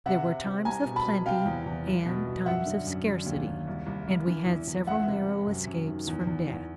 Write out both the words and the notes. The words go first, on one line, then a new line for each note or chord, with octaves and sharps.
There were times of plenty and times of scarcity, and we had several narrow escapes from death.
C3 E5 F#5
C3
C3
C2 G#5 A#5
B2
A5 B5
C2
C3 F5 G5
E2
E2
C2
B2
C2
F#2 E5 F#5
D3
F#2
D3
D#2
D#2
C2
C2
C2
E3
E2
E2
C#2 E5 F#5
C3
C3
F#2
F#2
D#3
E2
E2
E2